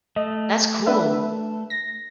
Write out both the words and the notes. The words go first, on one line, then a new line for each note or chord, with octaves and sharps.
That's cool.
A3 D#5
D4 B4 E5
A#6